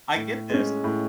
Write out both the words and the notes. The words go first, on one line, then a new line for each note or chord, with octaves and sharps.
I get this.
A2
G#3 C#4
A2